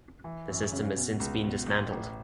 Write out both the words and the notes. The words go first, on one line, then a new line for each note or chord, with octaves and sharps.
The system has since been dismantled.
E3
F#2
C#3
B2
C#2
B2
A1
A1